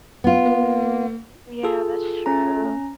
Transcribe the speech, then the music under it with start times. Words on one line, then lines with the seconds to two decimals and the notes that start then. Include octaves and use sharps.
Mm, yeah, that's true,
0.24 B3 F4
1.63 F4 G#4 A4
2.26 C#4 A#5